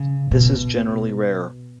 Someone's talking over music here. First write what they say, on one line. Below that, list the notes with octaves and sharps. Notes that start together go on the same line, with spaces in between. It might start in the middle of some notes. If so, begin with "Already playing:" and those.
This is generally rare.
Already playing: C#3
B2